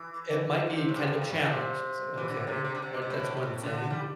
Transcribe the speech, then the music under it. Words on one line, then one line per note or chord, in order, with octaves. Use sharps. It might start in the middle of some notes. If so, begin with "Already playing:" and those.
eh, it might be kind of a challenge, it's like, "Okay, that that's one thing,"
Already playing: E3
C3
A2
G2
C3
A2
C3
E3
D3
C3
C3
D3
C3
C3
A2
A2
D3
G3